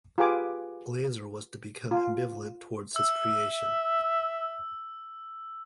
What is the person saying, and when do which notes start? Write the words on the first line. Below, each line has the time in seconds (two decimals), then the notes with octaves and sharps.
Glazer was to become ambivalent towards his creation.
0.18 F4 G4 G#4 B4 G#5 D6
1.91 F4
2.96 E5 E6